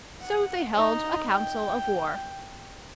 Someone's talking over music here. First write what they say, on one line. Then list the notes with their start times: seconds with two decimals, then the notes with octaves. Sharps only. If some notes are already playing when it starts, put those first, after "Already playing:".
So they held a council of war.
0.21 F#5
0.75 D#4
1.31 G5